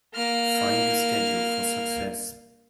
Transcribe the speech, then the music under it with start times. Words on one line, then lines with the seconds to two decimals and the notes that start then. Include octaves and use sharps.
Find the schedule for Success.
0.15 A#3 F6